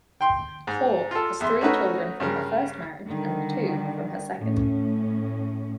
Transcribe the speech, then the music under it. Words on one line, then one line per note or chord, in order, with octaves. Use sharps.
Tork has three children from her first marriage and two from her second.
G5 C6
G#2
F4 A4
E2 E5 C6
A3 C#4 D#4 F#4 A#4 B4
G2 C#3 A#4
D3 D#3 G3
A2 C#4